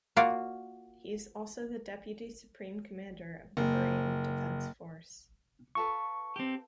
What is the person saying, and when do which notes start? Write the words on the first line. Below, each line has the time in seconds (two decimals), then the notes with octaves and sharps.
He is also the deputy Supreme Commander of the Bahrain Defense Force.
0.16 A#3 F4 F#4 D5 F5
3.57 F#1
5.75 F4 A4 B4 C#6
6.36 C4 G4